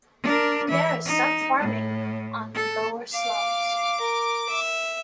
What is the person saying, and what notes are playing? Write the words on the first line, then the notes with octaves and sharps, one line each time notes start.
There is some farming on the lower slopes.
D4 A#4
E3 E5
D#4
A2
A4
F5 D6
A#4
E5